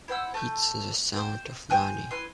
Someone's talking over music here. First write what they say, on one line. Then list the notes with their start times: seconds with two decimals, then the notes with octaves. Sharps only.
It's the sound of money.
0.08 E4 C5 F#5 E6
0.34 A3 G6
1.14 C5 G5
1.70 C5 G5 G#5 F#6
2.11 E4 B4 C6